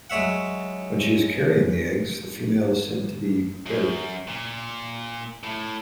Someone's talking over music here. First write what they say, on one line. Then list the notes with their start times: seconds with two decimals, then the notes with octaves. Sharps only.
When she is carrying the eggs, the female is said to be "berried".
0.10 F#3 G#3 C#5 E5 F#5
3.66 F#2
4.28 A#2
5.43 A2